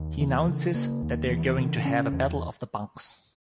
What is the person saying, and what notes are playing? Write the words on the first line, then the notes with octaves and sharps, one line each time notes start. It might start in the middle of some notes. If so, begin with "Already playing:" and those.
He announces that they're going to have a battle of the bunks.
Already playing: D#2
E3
C#3
A#3
D#2
E3
C#3
C#4
E2